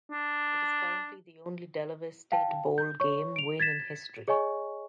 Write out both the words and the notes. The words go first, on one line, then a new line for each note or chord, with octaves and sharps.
It is currently the only Delaware State bowl game win in history.
D4
F5 G5 A5
G6
C#5 C#6
D7 F7
G#6 A6 B6 E7
G#4 C#5 D#5 G#5 C#6